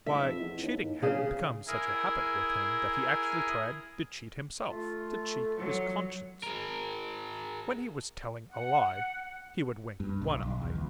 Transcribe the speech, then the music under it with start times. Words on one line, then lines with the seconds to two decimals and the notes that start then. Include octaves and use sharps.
Why, cheating had become such a habit with him that he actually tried to cheat himself--to cheat his conscience! When he was telling a lie, he would wink one eye.
0.06 F1 E5
0.24 F2
0.39 E2
0.63 D#2
0.81 D#2
1.02 G1 C#3 G#4
1.67 E4 G#4 A#4
4.69 A3 F4
5.05 A4
5.58 F#3
6.43 G#4 A#4
8.49 F#5
10.00 G2
10.22 B1
10.43 B1
10.62 E2
10.75 C#2